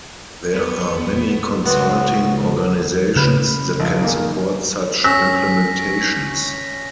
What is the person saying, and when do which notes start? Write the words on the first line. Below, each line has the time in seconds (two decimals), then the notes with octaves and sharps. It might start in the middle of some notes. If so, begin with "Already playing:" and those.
There are many consulting organizations that can support such implementations.
0.54 B3
1.65 C#2 B3 C4 F#4 F#5
3.16 C#3 B4 F6
3.80 A#1
4.02 D#3 A#3 G#4
5.04 C#4 E6 A#6 B6